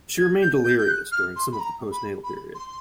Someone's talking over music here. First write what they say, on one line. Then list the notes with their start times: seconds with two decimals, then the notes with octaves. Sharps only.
She remained delirious during some of the postnatal period.
0.18 G#6
0.42 G6
0.64 G6
0.78 G6
0.88 F#6
1.12 F6
1.36 C6
1.52 B5
1.59 A#5
1.92 B5
2.23 B5
2.55 C6